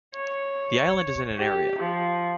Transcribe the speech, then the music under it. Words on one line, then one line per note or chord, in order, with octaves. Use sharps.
The island is in area.
C#5
G4
F3